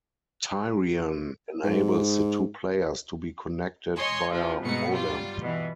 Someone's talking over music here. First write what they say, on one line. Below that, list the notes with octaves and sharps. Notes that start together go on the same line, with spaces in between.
Tyrian enables the two players to be connected via modem.
G#2
C#5 D#5 G#5 C6
C3 F3 F4
G2 B2 G#3 A3 D#4 C#7
F#3 G3 F4
B2 E3